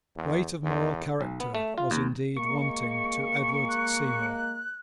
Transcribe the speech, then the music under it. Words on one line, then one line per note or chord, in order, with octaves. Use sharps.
Weight of moral character was indeed wanting to Edward Seymour.
E2
E2
B1
B3
A3
F4
D#2
G#3 A#3 C#6
F#6